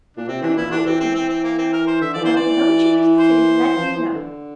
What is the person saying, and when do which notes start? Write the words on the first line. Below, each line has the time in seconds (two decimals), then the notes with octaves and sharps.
I am inclined to think--well, the moment she leaves the city let me know.
0.16 A#2 D4
0.28 C3 C4
0.42 E3 D4
0.57 A#2 E4
0.71 E3 D4
0.86 E3 C4
1.00 C4
1.15 C4
1.29 C4
1.44 A#3
1.58 C4
1.73 A#4
1.87 C5
2.01 D3 E5
2.14 F3 D5
2.22 E3 C5
2.36 E3 D5
3.18 C5
3.76 F3
3.96 E3
4.15 D3